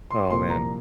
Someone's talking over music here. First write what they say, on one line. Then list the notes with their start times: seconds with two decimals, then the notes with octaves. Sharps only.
Oh, man.
0.11 C6
0.30 C2 A#2 F3 A#3 C6
0.50 A#5